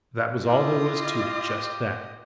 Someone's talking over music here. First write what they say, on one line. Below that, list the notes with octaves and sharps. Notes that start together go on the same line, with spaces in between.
That was all there was to it--just that!
E4 F4 G4 D#5